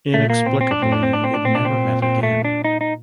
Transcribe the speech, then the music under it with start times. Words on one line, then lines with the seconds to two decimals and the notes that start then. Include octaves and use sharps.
Inexplicably, it never met again.
0.14 A#2 A3
0.30 A#3
0.46 A#2 C4
0.61 C4
0.71 D4
0.77 A2 C4
0.92 D4
1.03 C4
1.13 D4
1.24 C4
1.34 D4
1.39 A#2
1.45 C4
1.55 D4
1.65 C4
2.02 C4
2.23 A3
2.45 D4
2.64 D#4
2.81 D#4